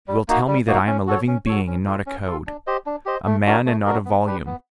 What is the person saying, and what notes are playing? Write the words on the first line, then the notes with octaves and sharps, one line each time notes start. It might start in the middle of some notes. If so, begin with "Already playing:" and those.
You will tell me that I am a living being, and not a code--a man, and not a volume.
G3
A#3 D#4 F#4
G3
A#3 D#4 F#4
C#4
F#4 A4 C#5
C#4
F#4 A4 C#5
C#4
F4 A4
C#4
F4 A4
D4
G4 C5 D#5
D4
G4 C5 D#5
A3
D4 F#4 A#4
A3
D4 F#4 A#4
B3
D4 G4 B4
B3